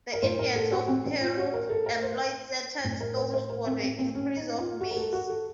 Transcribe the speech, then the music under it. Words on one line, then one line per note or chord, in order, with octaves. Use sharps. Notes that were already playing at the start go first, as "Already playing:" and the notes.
The Indians of Peru employed certain stones for the increase of maize.
A#4
A2 C5
A#4
A4
F#4
C4
C#4
F4
F#4
A#4
A4
A#4
C5
A2
A#4
C5
C5
A#4
C4
C4
C4
C#4
D#4
F4
F#4
A#4
A4
F#4
A4